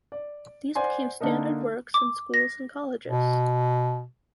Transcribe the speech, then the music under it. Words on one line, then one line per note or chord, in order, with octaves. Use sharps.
These became standard works in schools and colleges.
D5
C5 D5 F#5 G#5 C6
D3 A#3 D4 D#4 A#4
D6
A#6
B2